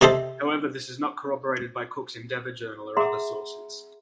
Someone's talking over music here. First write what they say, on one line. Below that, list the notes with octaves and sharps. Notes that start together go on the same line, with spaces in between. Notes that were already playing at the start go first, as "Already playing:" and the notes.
However this is not corroborated by Cook's "Endeavour" journal or other sources.
C3 D#4 G4 A4 C5
G#4 E5 F#5 A#5 C6